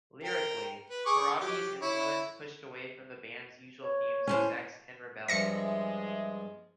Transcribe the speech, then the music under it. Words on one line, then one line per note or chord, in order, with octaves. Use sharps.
Lyrically, Corabi's influence pushed away from the band's usual themes of sex and rebellion.
A#4 G5
B4
G#4 C#6 D6
F#3 G4
E4 C#5
C#5
A2 C#3 C#4 C5 G#5
G2 F3 G#3 E5 A#6 C#7